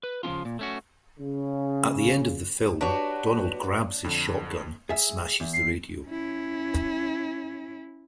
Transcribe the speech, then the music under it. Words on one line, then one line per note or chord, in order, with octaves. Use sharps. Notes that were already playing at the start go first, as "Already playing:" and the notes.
At the end of the film Donald grabs his shotgun and smashes the radio.
B4
C#3 F3 C#4 D4 F4
A#2
A3 C#4 F#4
C#3
D4 F#4 G4 B4 C#5
F2 D3
G#4 E5
E2
C7
C#4 E4